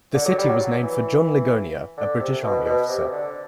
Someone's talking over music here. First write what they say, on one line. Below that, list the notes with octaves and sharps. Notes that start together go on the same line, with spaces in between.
The city was named for John Ligonier, a British army officer.
D3
F#3
G3
F#3
F#3
E3
D3
C3
B2
B2
C3
D3